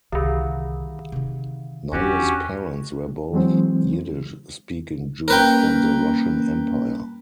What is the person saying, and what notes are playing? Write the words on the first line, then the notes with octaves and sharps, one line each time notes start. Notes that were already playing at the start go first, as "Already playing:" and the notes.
Nye's parents were both Yiddish speaking Jews from the Russian Empire.
C2 D3 D#3
C3 D#4
E2 C#4 D4 F#4 G4
E3 F#3 G#3 C4
G3 A#3 C#4 A#4 B4 G5